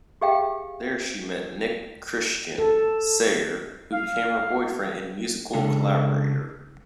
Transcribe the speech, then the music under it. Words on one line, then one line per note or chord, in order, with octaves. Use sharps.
There she met Nick Christian Sayer, who became her boyfriend and musical collaborator.
G4 G#4 E5 F5 G5
A4
F5
C#3 G#3 D4 G#4 A4